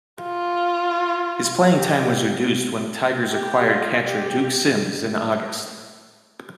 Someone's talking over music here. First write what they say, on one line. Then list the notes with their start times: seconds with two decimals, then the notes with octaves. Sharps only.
His playing time was reduced when the Tigers acquired catcher Duke Sims in August.
0.23 F4
1.76 G4
3.29 G4
3.67 F4
4.06 G4